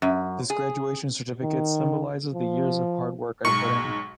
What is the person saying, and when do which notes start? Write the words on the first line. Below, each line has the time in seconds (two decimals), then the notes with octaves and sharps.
This graduation certificate symbolizes the years of hard work I put in.
0.02 F#2
0.50 G#4
1.43 D#3
2.34 F3
3.45 B1 G#2 C#6